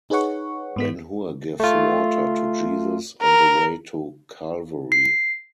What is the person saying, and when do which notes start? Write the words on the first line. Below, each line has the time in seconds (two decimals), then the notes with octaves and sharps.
Ben-Hur gives water to Jesus on the way to Calvary.
0.10 D#4 G#4 B4 C#5 F#5 C#6
0.76 G#2 B3 B6
1.60 A3 F4
3.22 A#4
4.92 C7